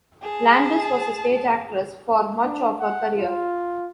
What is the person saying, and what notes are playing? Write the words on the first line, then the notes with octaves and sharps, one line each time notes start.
Landis was a stage actress for much of her career.
G#4 A5
D4
F#5
F4